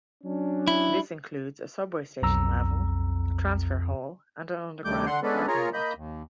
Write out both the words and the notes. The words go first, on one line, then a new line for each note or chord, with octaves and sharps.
This includes a subway station level, a transfer hall and an underground parking lot.
F#3 C#4 D4
E4
B1 F2 A#5 E6
D2 D#3 G3 A3 D6 G6
D3 F#5 C6
G#3 B3 C#4 D4 A4 B4
F4 G#4 A#4 C#5 A#5
A#3 D#5 B5 G6
D#2